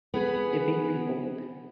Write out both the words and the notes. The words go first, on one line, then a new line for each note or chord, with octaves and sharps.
evict people w
B3 G#4 B4